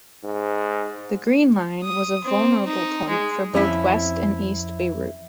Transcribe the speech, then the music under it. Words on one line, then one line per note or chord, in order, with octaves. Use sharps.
The Green Line was a vulnerable point for both West and East Beirut.
G#2
D#6
C4
D#4
G#3
F2 C#4 E4 E5